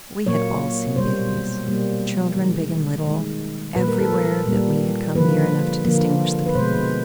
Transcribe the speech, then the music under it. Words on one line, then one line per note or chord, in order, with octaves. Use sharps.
We had all seen babies, children big and little, everywhere that we had come near enough to distinguish the people.
A#2 F#3 A#3 C#5
B2 G3 A#3 C5
B2 G3 A#3
D#3 G#3
D#3 G#3
A#2 G3 A#3 B4
A#4
A4
A#4
A#2 G3 A#3
D3 F3 A#3 B4
D3 F3 A#3
B4
B2 G#3 C5